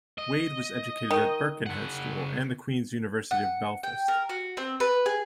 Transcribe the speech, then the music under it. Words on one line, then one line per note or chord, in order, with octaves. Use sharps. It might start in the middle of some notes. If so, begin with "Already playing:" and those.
Wade was educated at Birkenhead School and the Queen's University of Belfast.
D#5
D#3
C#3 F#5
F#5
G5
A#4
F#4
C4
B4
G#4